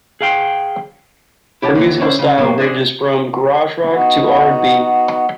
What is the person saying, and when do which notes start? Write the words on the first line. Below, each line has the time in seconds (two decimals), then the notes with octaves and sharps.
Her musical style ranges from garage rock to R and B.
0.21 G#4 F5 G5
1.62 E4 G4 C#5 F#5 A5
1.75 D#2 D3 E3 A3 D#4 B5
2.00 C#4 D4 E4 C5
2.19 C#3
2.38 G#2 B2 F#3 G#3 A#3
2.58 D4 G#4 C5 E5
3.91 B3 D#4 F#4